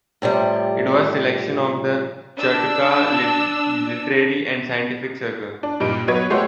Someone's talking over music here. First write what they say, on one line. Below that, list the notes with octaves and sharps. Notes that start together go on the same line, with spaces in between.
It was a selection of the Chautauqua Literary and Scientific Circle.
A2 C3 F3 G3
D4 E6
D4
G2 A#2 D#4 D7
F#3 B3 B4 C#5 D#5 G#6
G#3 A3 F#4 G4 C5 C#5